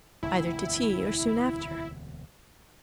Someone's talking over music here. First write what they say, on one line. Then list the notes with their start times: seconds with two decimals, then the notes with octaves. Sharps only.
'Either to tea or soon after.
0.23 E1 D2 C3 E4